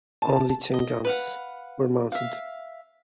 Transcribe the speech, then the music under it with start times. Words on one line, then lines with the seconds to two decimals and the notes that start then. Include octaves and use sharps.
Only ten guns were mounted.
0.22 A5
0.74 D#5
1.05 B4 F5 F#5
2.12 E5 F5